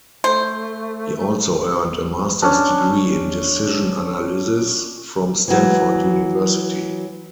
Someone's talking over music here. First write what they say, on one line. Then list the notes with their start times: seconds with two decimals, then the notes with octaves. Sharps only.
He also earned a master's degree in Decision Analysis from Stanford University.
0.24 A3 C5
2.42 C#4 D4
5.48 E3 F#3